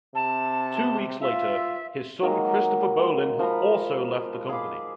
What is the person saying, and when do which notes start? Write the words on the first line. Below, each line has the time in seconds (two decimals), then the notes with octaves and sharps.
Two weeks later, his son Christopher Bolin also left the company.
0.15 C3 A5
1.21 F4 E5
2.22 D#3 F#3 G#3 A#3
3.39 F3 C5 A#5 B5
4.49 G#4 F5 B5 D6